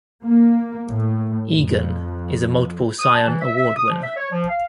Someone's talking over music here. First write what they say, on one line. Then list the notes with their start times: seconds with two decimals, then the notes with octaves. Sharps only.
Egan is a multiple Seiun Award winner.
0.24 A#3
0.89 A2
1.53 F2
2.99 D#6
3.14 A5
3.27 E3
3.41 E5
3.56 E5
3.76 D#6
3.89 F3
4.03 E5
4.17 C#5
4.31 F3
4.49 F5